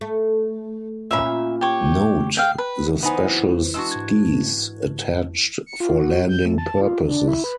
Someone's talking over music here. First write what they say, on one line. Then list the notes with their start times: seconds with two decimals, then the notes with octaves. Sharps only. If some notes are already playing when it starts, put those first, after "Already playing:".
Note the special skis attached for landing purposes.
0.01 A3
1.11 A#2 C#4 F4 E5 B5
1.61 G4 C#5
2.37 F5 G5
2.58 B4
3.03 E3 B3 D#4 B4 C5 G#5
3.74 G#3 D4 F#4 E6
3.91 G#2 G#6
5.66 C#7
5.80 F4
5.98 F#4
6.29 G6
6.46 A3
6.58 A5
6.81 F4
7.07 D4
7.28 E4
7.44 B4